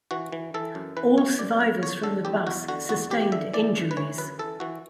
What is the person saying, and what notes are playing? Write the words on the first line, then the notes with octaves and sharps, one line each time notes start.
All survivors from the bus sustained injuries.
E3 F#4
E3
E3 A4
F#2
E3 B4
F#2 C#5
F#2 D5
F#2
E2 C#5
D3 A4
E2 G4
E2 F#4
D3 F#4
E2 F#4
E2 G4
D3 E5
E3 D5
F#2
B4
E3 C#5
F#2 B4
E3 A4
E3 F#4